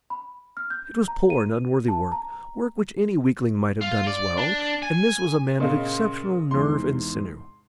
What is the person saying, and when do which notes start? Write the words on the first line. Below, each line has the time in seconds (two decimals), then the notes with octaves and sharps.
It was poor and unworthy work--work which any weakling might have done as well, and this was a man of exceptional nerve and sinew.
0.10 B5
0.57 F6
0.70 G6
1.08 A#5
1.30 D#7
1.88 A5
2.12 A#5
3.81 F4
4.07 D5
4.38 D4
4.82 G#5
5.60 A#2 C#3 G#4 D#5 F5
6.51 E2 G#2 C3 C6